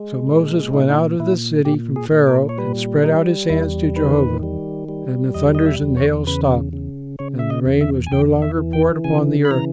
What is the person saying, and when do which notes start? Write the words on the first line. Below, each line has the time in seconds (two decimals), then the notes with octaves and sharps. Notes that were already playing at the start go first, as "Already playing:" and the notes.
So Moses went out of the city from Pharaoh and spread out his hands to Jehovah; and the thunders and hail stopped, and the rain was no longer poured upon the earth.
Already playing: G#3
0.27 A#2
0.73 A#2 D#4
0.89 D#4
1.20 A#2 E4
1.65 A#2 G4
1.96 G#4
2.12 A#2
2.27 A#4
2.49 C#5
2.58 G3 B4
3.04 G3 D#4
3.50 E2 E4
3.96 D#3 B4
4.43 G3
4.89 G3
5.34 E2 D#5
5.55 D#5
5.66 E5
5.81 E2
5.97 C#5
6.27 C#3 B4
6.73 C#3
7.19 C#3 C#5
7.39 E5
7.50 D#5
7.66 E2
7.81 E5
8.07 G#5
8.12 E2 G5
8.42 E5
8.58 E3
8.73 G5
9.04 C#3 G#5
9.45 B5
9.51 E3 A#5